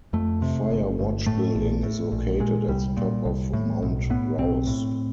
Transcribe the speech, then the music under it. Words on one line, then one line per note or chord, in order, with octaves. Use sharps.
A fire watch building is located at the top of Mount Rouse.
F2 A3
C3
G1
G1
A2 A3
A#1
A2
A#1
A#2 G#3
C2 G3
A#2
C2
A2
B1
A2 B3
B1 C4
A2